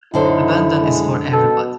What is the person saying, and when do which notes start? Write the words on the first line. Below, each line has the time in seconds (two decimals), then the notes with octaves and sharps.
Abandon is for everybody.
0.14 F#2 D3 D#4 E4 C5
0.82 G#3
1.32 B2 A4